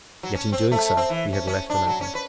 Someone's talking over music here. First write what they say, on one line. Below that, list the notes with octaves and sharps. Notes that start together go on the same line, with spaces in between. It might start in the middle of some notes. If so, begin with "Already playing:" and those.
Yet, in doing so, he had left an opening.
F#3
C#4
C4
A3
C4
E3
C#4
C#4
D4
F#3
C#4
B4